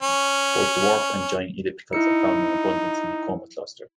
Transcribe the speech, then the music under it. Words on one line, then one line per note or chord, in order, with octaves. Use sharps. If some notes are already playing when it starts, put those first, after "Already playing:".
Both dwarf and giant ellipticals are found in abundance in the Coma Cluster.
C#4
D#4 E4 E6 C#7